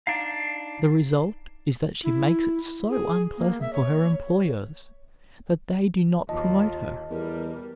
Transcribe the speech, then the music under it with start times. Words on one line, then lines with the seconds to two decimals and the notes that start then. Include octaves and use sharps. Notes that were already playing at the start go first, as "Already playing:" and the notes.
The result is that she makes it so unpleasant for her employers that they do not promote her.
0.07 D4 D#4 F5
2.04 E4
2.90 G#4
3.38 A#3
3.61 E5
3.73 C#5
6.29 D#2 F4 D#5 A5
7.10 E2 G3 A#4